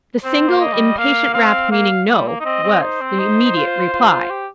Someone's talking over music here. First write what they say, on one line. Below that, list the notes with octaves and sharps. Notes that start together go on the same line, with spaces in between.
The single impatient rap, meaning "No," was the immediate reply.
C4 C5
A#3
D#5
G3
A#3 F5
C4 F5
A#3 F5
G3
A#3
D#4
C4 D#5
C4
D#4 C5
C4
D#4
D#4
F4
F4
F4
G4